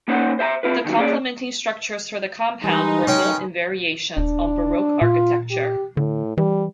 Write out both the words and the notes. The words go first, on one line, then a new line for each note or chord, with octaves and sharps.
The complementing structures for the compound were built in variations on Baroque architecture.
A#3 C#4 D#4 C5 C#5 F#5
C5 E5 G5 A#5
C4 E4 F4 B4
B2 D#3 F3 F#3
A#3 C#4 G#4 A#4 D5
E3 G3 G#3 D#4 G4 A#4 B4
F#3 C#4 G5
D#1 D4
A#2 F4
G4
A2 D3
E3 G3